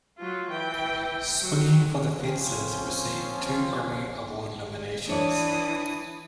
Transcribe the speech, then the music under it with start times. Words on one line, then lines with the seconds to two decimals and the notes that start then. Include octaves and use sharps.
"Swingin' for the Fences" received two Grammy Award nominations.
0.19 F#3 F4
0.50 E3 G5
1.41 F#3
2.13 F3 C4 C#4
5.07 E3 D4 C#5 D5 D#6